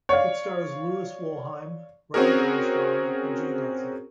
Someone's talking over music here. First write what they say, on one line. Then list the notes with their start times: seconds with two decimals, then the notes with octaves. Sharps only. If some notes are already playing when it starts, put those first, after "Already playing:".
It stars Louis Wolheim, Robert Armstrong, and Jean Arthur.
0.09 C#5 D5 F5
2.14 C4 C#4 F#4 G#4 A#4